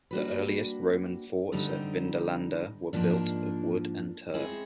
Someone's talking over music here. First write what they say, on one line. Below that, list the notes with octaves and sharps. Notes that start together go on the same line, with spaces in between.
The earliest Roman forts at Vindolanda were built of wood and turf.
G3 A#3 D4 F#4 B4
D3 G3 C4 D#4
G#2 F3 A#3 D4
G#3 C4 E4 G#4 C#5